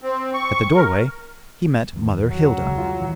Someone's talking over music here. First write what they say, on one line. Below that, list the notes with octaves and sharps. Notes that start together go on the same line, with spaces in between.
At the doorway he met Mother Hilda.
C4
C#6
A#4
E2 D#3
F#3
C#2 G#3
F4
D2 A#2 D#3 E3